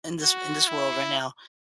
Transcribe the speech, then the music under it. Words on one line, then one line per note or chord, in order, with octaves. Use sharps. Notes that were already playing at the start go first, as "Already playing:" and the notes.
in this in this world, right now.
F#4
E4